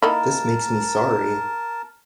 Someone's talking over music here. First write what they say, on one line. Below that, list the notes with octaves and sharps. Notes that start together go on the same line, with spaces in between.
This makes me sorry.
A#3 D#4 E4 A#4 A5